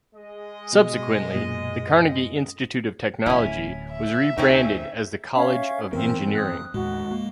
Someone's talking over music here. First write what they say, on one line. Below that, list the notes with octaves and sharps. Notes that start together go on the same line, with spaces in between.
Subsequently, the Carnegie Institute of Technology was re-branded as the College of Engineering.
G#3 D#5
B2
F#2 A#2
D1 C#4 E4
E5
D2 A#2 C4 C#4 D#4
C#4 E5 F5
G2 E3 B3 C4 A#4
D#6 F#6
D#2 A2 G#3 F#4
A#3